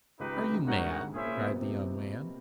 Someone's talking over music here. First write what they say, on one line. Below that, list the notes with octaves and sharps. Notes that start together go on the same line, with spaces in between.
"Are you mad?" cried the young man.
C#2 C#3 D#4 G4 B4
C2 C3
D2 D3
G#2 G#3 D#4 F#4 A#4 C#5 F#5
A#2 A#3 C#4 E4 G#4 C5 E5
A#2 A#3
B2 B3
C3 C4
B3
C3 C4